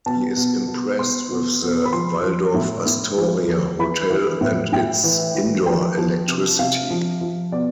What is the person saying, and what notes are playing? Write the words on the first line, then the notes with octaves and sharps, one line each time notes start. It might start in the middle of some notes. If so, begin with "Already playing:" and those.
He is impressed with the Waldorf-Astoria hotel and its indoor electricity.
B2 A5
B2
B2
B2 C6
B2
B2
B5
F3 C6
F3
A2
A2
F3
F3
E3 B5
E3
A2
A2 G5
E3
E3
F3 G5
F3
C3
C3 F5
F3
F3
B2 D5